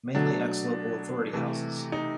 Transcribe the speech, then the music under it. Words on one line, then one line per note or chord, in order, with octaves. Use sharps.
Mainly ex-local authority houses.
B2 F#3 A3 D4
C3 E3 A3
D#4